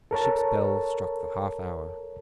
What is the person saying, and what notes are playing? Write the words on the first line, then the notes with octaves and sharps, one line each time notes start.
The ship's bell struck the half-hour.
A4 A#4 C#5 A5